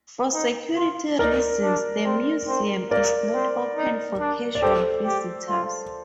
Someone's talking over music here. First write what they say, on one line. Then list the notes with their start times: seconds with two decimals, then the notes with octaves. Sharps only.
For security reasons, the museum is not open for casual visitors.
0.33 D#4
0.76 F4
1.19 D#4 A#4 D5
1.63 D4
2.05 C4
2.48 C4
2.91 A#3 A#4 D5
3.34 C4
3.76 D#4
4.20 D4
4.55 D5
4.62 G4 A4 C5
5.05 G4
5.48 F4